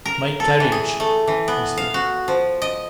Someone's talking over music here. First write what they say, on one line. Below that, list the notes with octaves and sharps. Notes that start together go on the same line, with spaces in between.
"My carriage!" he said.
A#4
A4
E3
G#4
A3
E3
B3
F5
F#4
F3
D#5